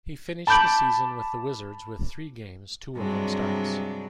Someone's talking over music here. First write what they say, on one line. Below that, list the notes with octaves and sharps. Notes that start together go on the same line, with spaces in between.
He finished the season with the Wizards with three games, two of them starts.
A5 B5 D6 G6 D7 F#7
G2 C3 F#3 G#3 D4